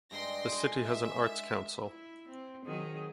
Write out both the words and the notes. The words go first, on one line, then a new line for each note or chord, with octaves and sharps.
The city has an Arts Council.
G2 G#3 D#4 G5 C6 A#6
G#4 G#5
E5
E4
C4
D#3 F#3 G#4